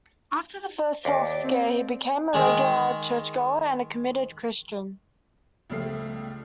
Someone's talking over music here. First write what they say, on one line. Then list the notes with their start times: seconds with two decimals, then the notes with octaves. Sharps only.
After the first health scare he became a regular churchgoer and a committed Christian.
1.05 D#2 D5
1.44 C4
2.33 D#3 G#3 G#5
5.70 C#2 F3 G3 A3 C7